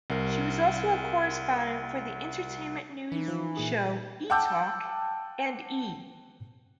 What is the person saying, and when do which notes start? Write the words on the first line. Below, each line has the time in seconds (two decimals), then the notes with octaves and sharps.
She was also a correspondent for the entertainment news show "etalk", and E!
0.10 C2 A#4
3.12 E3 D#4
3.28 F3
3.57 A#2 G#4
4.30 F#5 G5 A5 D6 E6 G6